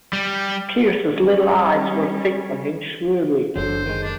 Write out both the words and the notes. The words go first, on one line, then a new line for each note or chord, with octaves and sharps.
Pearce's little eyes were fixed on him shrewdly.
G3
G3 C#4
F#1 F#2 D3 E3 F#3 C5
D#3 G#3
D4